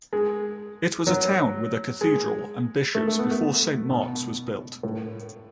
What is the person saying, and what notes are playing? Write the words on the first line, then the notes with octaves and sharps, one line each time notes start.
It was a town with a cathedral and bishops before Saint Mark's was built.
G#3
F#3
G#3
A3
A3
B3
A3
B2
A2